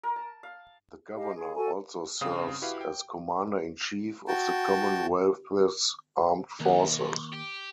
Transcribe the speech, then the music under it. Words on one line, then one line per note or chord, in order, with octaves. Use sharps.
The governor also serves as commander-in-chief of the Commonwealth's armed forces.
A#4
A5
F5
G4 D#5 F5
G#4
F#4 A4 G#5
G2 C#3 C4 F5 D#6
E4 F#4 G4 B4 F5
G5
F#4 G5 A5
B1 D#3 A#3
G4